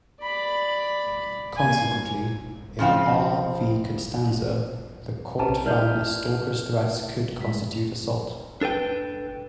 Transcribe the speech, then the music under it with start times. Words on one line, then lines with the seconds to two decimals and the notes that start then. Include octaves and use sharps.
Consequently, in "R v Constanza", the court found a stalker's threats could constitute assault.
0.22 D5 B5
1.57 A#3 G#5
2.79 C#3 F3 C4 F5
5.39 B1 C#4 A4 B4 A5 A#5
5.65 D#4 E4 G#4 A#4 D5 E5 F6 G6
7.39 G2 G#3 B6
8.61 D4 A4 B4 G5